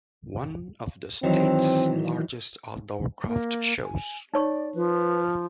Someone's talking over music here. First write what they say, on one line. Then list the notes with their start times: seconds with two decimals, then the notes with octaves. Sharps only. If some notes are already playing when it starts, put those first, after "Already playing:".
One of the state's largest outdoor craft shows.
1.23 D#3 E3 F#3 C4
3.26 A#3
3.83 G#5
4.34 D#4 C#5 D5 C#6
4.75 F3 B4